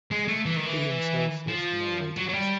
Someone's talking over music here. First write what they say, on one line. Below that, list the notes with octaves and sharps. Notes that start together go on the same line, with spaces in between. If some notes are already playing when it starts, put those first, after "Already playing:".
He himself left no writings.
G#3
A3
E3
D#3
E3
F3
F#3
F#3
G3